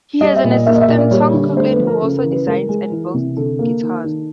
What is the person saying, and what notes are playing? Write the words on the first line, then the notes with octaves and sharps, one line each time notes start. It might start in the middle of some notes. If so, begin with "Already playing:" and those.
He has an assistant, Tom Coughlin, who also designs and builds guitars.
G3 D#5
E5
A#2
D#5
A#3 E5
D#5
E5
A#2
D5
G3 C#5
D3
A3 C5
B4
F3
A#4
C#3 A4
A#4
E3
B4
G#3 A#4
G#3
E3
C3
D3 A4
A#3
D#3
D#3